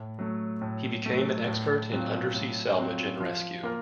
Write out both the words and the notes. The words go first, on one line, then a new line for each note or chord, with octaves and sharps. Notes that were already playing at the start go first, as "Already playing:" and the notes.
He became an expert in undersea salvage and rescue.
Already playing: A2
F#3 A3
A2
F#3 A3
A2
F#3 C4 F4
A2
F#3 C4 F4
F3
A#3 F4 A#4